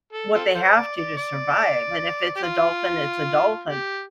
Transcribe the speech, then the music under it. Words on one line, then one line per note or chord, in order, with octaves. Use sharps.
what they have to, to survive, and if it's a dolphin, it's a dolphin,
A4
C4 F4 A4
F4 A4 C5
D5
D5
D5
G4
F4
G4